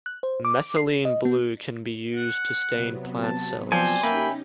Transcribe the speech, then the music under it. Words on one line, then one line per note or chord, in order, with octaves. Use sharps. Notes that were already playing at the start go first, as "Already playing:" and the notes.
Methylene blue can be used to stain plant cells.
F#6
C5
D6
C7
D#5
B3
F#5
C3 F#3 B3
A5
F3 C4 D5 G#5 C6
A#3 C#4 D#4 G4 E5 G5 B5